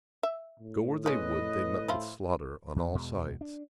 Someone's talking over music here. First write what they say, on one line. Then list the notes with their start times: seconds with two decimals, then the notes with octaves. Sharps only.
Go where they would, they met with slaughter on all sides.
0.23 E5
0.60 A2
1.06 G#3 C#4 B4 D#5
1.88 F3 E4 F4
2.76 E2
2.95 E2 B2 G#3
3.41 D4